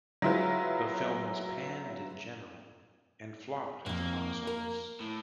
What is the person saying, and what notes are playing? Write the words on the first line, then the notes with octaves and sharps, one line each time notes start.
The film was panned in general and flopped at the box office.
F#3 G#3 E4 F4 B4
F2 G#2 A#3
A#4
A2